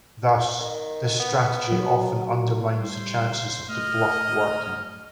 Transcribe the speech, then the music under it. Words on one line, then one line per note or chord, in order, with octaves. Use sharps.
Thus, this strategy often undermines the chances of the bluff working.
D#3
B3
F#3
G3 C5
A3 D#5 F6